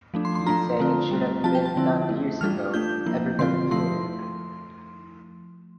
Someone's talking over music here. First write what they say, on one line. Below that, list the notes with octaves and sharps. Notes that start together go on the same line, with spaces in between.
He said it should have been done years ago, everybody knew it.
F3 A3 D4
C6
C6
F3 A3 D4 F4 A#5
D3 A3 C4 F4
G3 C4 F4
F3 C4 F4 A5
G5
A5
D3 F3 C4 E4
A3 E4
E3 G3 D4 F4 F6
A3 D4 F4 G6
F3 A#3 E4
D3 F3 C4 F4 C6
F3 A3 E4 C6